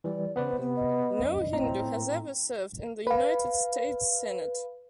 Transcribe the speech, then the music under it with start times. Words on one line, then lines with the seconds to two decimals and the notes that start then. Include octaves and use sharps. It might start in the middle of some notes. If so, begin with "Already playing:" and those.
No Hindu has ever served in the United States Senate.
0.04 E3 G3 D5
0.36 C#3 B3 B4 C5 D5
0.59 C3 B3
0.76 D#5
1.22 F#2
1.53 A2 C4 A#5
3.07 B4 F5